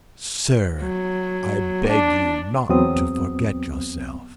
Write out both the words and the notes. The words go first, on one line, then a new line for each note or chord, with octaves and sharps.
"Sir, I beg you not to forget yourself."
F#3
D4
E2 F#3 B3 C4 D#6